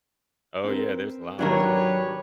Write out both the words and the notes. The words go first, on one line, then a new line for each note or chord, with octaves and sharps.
Oh, yeah, there's lots, yes.
C4 A#4 B4
G#1 F#3 D4 G4 A#4 B4 C#5